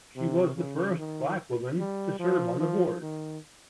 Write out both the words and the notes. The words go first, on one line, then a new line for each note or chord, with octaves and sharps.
She was the first black woman to serve on the board.
C3
C#3
D#3
G3
F3
F3
D#3